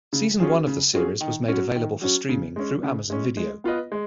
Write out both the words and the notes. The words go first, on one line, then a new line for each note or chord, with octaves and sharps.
Season one of the series was made available for streaming through Amazon Video.
C#3
F#3 C#4 F4 G#4
C#3
F#3 C#4 F4 G#4
D#3
F#3 C#4
D#3
F#3 C#4
C#3
G#3 C#4
C#3
G#3 C#4
G#3
B3 F4 B4 D#5
G#3